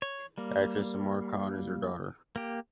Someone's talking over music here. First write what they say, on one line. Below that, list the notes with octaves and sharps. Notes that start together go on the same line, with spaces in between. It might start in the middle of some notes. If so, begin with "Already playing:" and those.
Actress Amar Khan is her daughter.
C#5
G3 A#3
A#3 G4